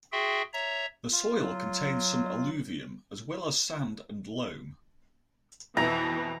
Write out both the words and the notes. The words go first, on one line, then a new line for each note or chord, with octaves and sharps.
The soil contains some alluvium as well as sand and loam.
F#4 G#4 E5 G5 C6
C#5 E5 A#5
F4
F#3
F2 B2 E3 A#5